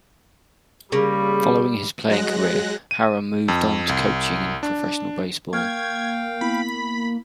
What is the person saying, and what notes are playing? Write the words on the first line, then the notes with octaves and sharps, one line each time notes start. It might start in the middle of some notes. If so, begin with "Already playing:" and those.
Following his playing career, Harrah moved on to coaching in professional baseball.
C#3 G3 A#3
F#3 G#3 F#6 A#6
D#7
F2
C2
D4
A#3 F5 G5 C#6 F6 G6 G#6
B3 E4 B5